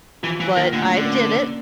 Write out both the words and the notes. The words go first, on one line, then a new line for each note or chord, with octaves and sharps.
but I did it.
E3 F3
E3 F3
D#3 A#3
A2 D3
C#4
D3
A#3
A#3
D4